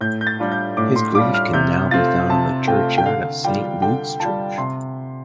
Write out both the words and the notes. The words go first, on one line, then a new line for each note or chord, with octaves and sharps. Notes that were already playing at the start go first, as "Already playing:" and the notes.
His grave can now be found in the churchyard of Saint Luke's Church.
A2 G6
G6
A6
G3 D4 F4
G6
A2 D6
C6
G3 D4 F4 D6
F6
C3 G6
A3 C4 F4 A6
C3 A5
A3 C4 F4 G5
G5
D3 F5
G3 F4 G5
D3 G5
G3 F4 A5
C3 C6